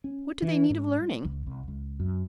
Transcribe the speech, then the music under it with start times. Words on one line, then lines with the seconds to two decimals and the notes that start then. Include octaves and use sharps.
What do they need of learning?
0.04 C#4
0.42 E3
0.70 G#2
1.01 G3
1.25 C#2
1.46 C2
1.68 C#2
2.00 F#2